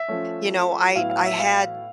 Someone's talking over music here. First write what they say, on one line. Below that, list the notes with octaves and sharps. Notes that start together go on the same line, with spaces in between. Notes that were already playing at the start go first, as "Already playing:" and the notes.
you know, I I had
Already playing: E5
F3 A3 C#4
A2 F#3 B3 E4 F5
F5
E5
F5